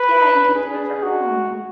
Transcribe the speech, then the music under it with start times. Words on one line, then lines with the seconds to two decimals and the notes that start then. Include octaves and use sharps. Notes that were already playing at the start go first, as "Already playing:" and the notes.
Yeah, you could do it from home.
Already playing: B4
0.55 G#4
1.03 F#4